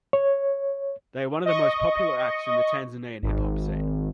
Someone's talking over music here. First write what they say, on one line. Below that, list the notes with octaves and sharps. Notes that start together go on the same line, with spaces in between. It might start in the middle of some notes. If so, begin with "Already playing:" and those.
They are one of the most popular acts in the Tanzanian hip hop scene.
C#5
D#5 C#6
G#1